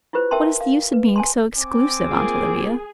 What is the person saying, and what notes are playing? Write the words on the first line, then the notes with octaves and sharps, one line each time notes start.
What is the use of being so exclusive, Aunt Olivia?
E4 F4 G4 B4 C5
G4 A#4 E5 G5 A5 C6
F5
B4
G#5 A5 C6
C4 G#5 D6
A#3 F4 G#4